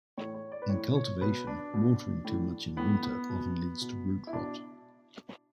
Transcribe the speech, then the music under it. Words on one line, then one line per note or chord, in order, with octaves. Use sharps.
In cultivation, watering too much in winter often leads to root rot.
A2 E3 C#5
C#5
D5
B4
A2 E3 C#5
C#5
B2 B4
D4
B2
A2 E3
A2 E3 B3
B3
B2
B2
E4
B2 D4